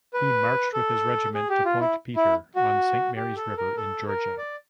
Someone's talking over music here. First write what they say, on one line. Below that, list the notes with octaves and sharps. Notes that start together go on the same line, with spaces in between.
He marched with his regiment to Point Peter on Saint Mary's River in Georgia.
B4
A4
G#4
G4
F4
E4
E4
F#4
G4
A4
A#4
A4
A#4
D5